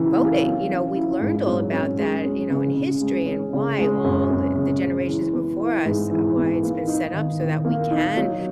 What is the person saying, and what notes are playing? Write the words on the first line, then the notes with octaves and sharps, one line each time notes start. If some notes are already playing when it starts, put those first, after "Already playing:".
voting. You know, we learned all about that, you know, in history and why all, eh, the generations before us, why it's been set up so that we can
Already playing: C#3 E3 C#4
A#3
F#3
C#4
E4
G#2
F#3
C#4
G#3
C#4
C#3
C#3
G#3
C#4
C#3
G#3
F#2
F#2
C#3
G#3
E3
B3
E4
G#2
E3
B3
A#3
D#4
D#3
D#3
A#3
D#4
F#3